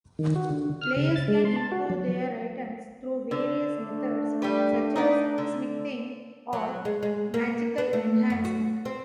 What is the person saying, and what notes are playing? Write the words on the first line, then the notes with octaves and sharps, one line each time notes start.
Players can improve their items through various methods, such as smithing or magical enhancement.
D#3
F#4
D3
F6
C#3
A6
G#3
C6
A5
F#4
F#3
D3
A3 D4
G3 G4 B4
D#4 B4 D5
D3
F#3
G#3
G#3
A#3
B3
A3
F#2
F#4
C4